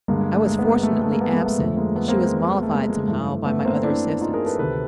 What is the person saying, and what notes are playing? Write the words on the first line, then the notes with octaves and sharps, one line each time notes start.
I was fortunately absent, and she was mollified somehow by my other assistants.
G2 D3 G#3 A#3
G#3
A3
G#3 A#3
B3
G#3 A#3
A3
G#3
A3
G#3 A#3
A3 B3
G#3 A#3
A3
F2 D3 A3
G#3 A#3
A3 B3
A#3 C4
G#3
A3
G#3 A#3
G#3
G#3
G2 E3 A3
A3 B3
A#3 C4
D4 E4
D#4 F4
G#4 A#4
A4 B4
D2 C3 D#3 A4 B4